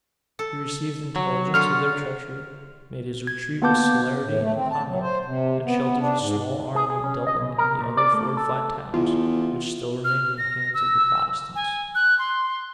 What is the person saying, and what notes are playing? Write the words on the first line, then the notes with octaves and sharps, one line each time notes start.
He received intelligence of their treachery, made his retreat with celerity and conduct, and sheltered his small army in Dublin and the other fortified towns, which still remained in the hands of the Protestants.
A4
F#3
D3 F4 F#4 F6
G#6
A#3 B3 B4 A5 D6 G6
A2
A3
C4
A5
F#3
C5
C3
B3
D4
G#2
G#4
G#4
C#4
D#5
B2
A#4
A#2
D5
A3
A4
E2 F4
F6
A#6
E6
G#5
F#6
C6